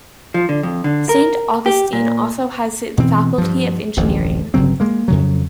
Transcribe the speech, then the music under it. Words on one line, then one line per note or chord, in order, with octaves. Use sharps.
Saint Augustine also has the Faculty of Engineering.
F3
D3
F2
D3
A#4
G4
A#2
B2 E3 C4
G2 F3
D1 A1 F2
G1 C#3 F#3 C4
G#3 A#3
F2 C#3 F#3